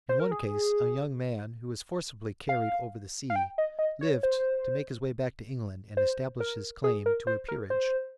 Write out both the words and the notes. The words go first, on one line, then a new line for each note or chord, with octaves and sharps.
In one case a young man who was forcibly carried over the sea lived to make his way back to England and establish his claim to a peerage.
C5
A#4
G#4
F5
F5
G5
D#5
D#5
C#5
C5
C5
A#4
G#4
A#4
C5
A#4
C5